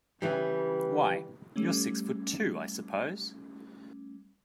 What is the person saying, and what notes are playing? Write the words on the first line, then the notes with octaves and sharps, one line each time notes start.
Why, you're six foot two, I suppose?
C#3 E3 G3
G3 A3 C#4